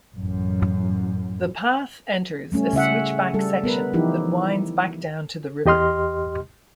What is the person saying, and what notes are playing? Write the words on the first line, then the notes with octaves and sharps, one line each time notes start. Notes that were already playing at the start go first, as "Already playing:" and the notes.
The path enters a switch back section that winds back down to the river.
A1 F#2
G3 A3 C#4
C#3 C#4 E5 F#5
G3 A4
B3 A#4 B4
E3 F3 D#4 E4 G4
E2 G4 D#5 C6 F6